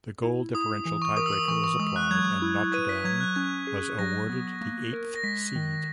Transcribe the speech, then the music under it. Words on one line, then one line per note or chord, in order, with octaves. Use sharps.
The goal differential tiebreaker was applied and Notre Dame was awarded the eighth seed.
E4
E4 D#6
E3
C#6
A#4 D#6
E6
D#6
E3 C#6
C#6
G#3 D#6
F#6
F#3 G#6
E4
B4 D#7
B6
F#3 G#6
F#6
C#4 G#6
G#4
F#3 A#6
B3
A#3
A#4
A#6
G#3 B6
D#3